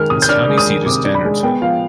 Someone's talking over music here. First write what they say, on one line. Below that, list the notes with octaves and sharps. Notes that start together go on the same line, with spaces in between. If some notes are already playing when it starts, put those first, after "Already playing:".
Its county seat is Stanardsville.
Already playing: D#3 G#3 F6
C3 D#6
G6
D4 F6
G#3
D#6
D#3
C3 D6
D4
B5
G#3
B3 G5
F3 F5